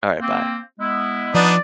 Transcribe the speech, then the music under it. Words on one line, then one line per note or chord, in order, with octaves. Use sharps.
Alright, bye.
A#3 C4
G#3 B3 E4
F3 B3 D4 D#4 D5